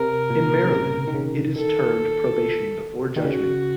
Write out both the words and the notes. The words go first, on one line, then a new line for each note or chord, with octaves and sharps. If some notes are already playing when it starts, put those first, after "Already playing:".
In Maryland, it is termed probation before judgment.
Already playing: C3 A#4
A#2
C#3
C3
D#3
C#3
D#3 A4
D#3
C#3 F#4